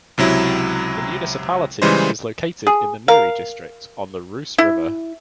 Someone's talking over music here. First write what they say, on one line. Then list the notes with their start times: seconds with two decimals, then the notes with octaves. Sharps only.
The municipality is located in the Muri district, on the Reuss river.
0.18 C#2 C3 F#3 E4
1.82 C#3 E3 G3 G#3 C5
2.67 G#4
3.08 A#4 F5
4.58 E4